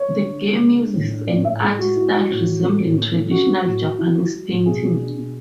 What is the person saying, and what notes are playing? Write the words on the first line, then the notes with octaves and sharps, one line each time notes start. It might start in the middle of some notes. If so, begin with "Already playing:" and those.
The game uses an art style resembling traditional Japanese painting.
Already playing: C#5
D3
D4
G#3
G#3
D4
A2
D4
A2 D5
A2 E5
A2 G#4
G#3 F#4
E4 F#4
E4
A2
E3
A3
A2
A3
A3
C#4 F#4
F#3
A2
F#3
E4
E4
F#3
A2
B2 G#4
B2
D4
B2